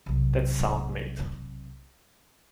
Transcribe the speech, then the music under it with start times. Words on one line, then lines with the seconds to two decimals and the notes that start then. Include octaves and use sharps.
That's sound mate.
0.06 B1 C3